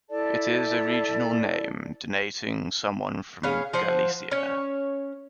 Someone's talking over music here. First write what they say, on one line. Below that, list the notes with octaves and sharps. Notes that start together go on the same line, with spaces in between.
It is a regional name denoting someone from Galicia.
E4 A4 D5 A5
B3 C#4 G#4 F5
F3 C5 F#5
C#4 C#5